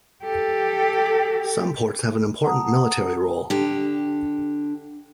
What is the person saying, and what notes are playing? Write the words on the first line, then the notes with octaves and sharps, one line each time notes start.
Some ports have an important military role.
G4 A4
F#5 A5 A#5 D#6
D3 G4